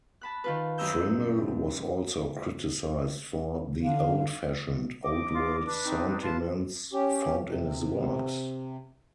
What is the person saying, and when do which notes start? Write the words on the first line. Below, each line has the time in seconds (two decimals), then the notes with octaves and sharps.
Friml was also criticized for the old-fashioned, Old World sentiments found in his works.
0.21 A5 B5 F#6
0.44 D#3 F4 B4
0.78 F#2 C#4 D#5 A#5 E6 G6
3.83 D3 F5
5.05 F3 D#5 D6
5.33 F4
5.65 D4 B4
5.84 C4 D#4
6.21 F4 B4 A5
6.93 C#4 G4
7.48 C3